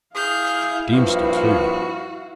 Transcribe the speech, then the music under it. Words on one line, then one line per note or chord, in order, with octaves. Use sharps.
Deemster too!
E4 G#4 F5 F6 G6
G2 A#2 F3 F#4 B4